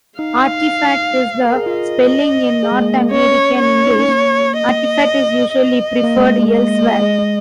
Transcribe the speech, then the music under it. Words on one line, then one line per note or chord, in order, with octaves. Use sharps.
"Artifact" is the spelling in North American English; "artefact" is usually preferred elsewhere.
D#4 F5
A#4
G#4
F4 D#5
G#4
G#3
A#3
A#3
C#4 C#5
C#5
D#4
C#4
A#3
D#5
D#5
A#3
G#3
G#3
D#5
G#3
G#3